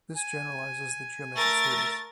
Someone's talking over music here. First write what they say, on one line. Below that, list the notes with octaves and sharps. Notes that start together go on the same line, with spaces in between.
This generalizes the geometric series.
G#5
A3 A#4 A6